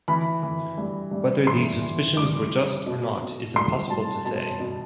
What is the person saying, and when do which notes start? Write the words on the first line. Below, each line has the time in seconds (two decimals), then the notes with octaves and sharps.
Whether these suspicions were just or not is impossible to say.
0.08 E3 B5
0.43 E3
0.78 G2
1.11 G2
1.47 E3 C6
1.82 E3
2.17 G2 D6
2.51 G2
2.86 B2
3.22 B2
3.56 C2 C6
3.90 C2 A5
4.25 B2 A5
4.60 B2